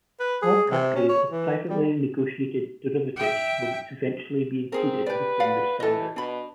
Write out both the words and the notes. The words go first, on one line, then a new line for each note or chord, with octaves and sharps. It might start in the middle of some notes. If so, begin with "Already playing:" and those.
All categories of privately negotiated derivatives will eventually be included within the standard.
B4
G#4
C3
C#4
C#5
E3
G3
E5 G5
C4 D#4 G#4 A#4
G4 B4 D5
D5 F5 F#5
E3 A4 D#5
B2 D4 B5